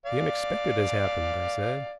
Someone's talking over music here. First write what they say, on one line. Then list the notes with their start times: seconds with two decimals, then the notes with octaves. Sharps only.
"The unexpected has happened," I said.
0.06 D5 F5